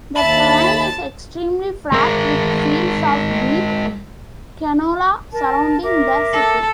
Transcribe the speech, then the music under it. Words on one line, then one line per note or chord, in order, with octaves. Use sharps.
The terrain is extremely flat with fields of wheat and canola surrounding the city.
D#2 E5 A5 B5 A6
G#3 A#4
A#4 A5
A#4 E5 D6
A4